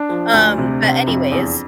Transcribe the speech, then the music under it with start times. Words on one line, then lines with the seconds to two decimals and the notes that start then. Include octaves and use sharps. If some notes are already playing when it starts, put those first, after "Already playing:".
um, but, anyways
Already playing: D4
0.09 F3
0.34 D2
0.58 C3
0.82 C3
1.07 F2
1.31 E2